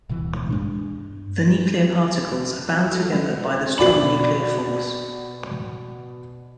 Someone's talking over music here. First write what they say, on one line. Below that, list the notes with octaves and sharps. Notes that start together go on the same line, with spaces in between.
The nuclear particles are bound together by the strong nuclear force.
D1 B2 E3
G2 G#3 D4
A3 F#4
G#3 C#4
B2 F#4 D5 B5 F#7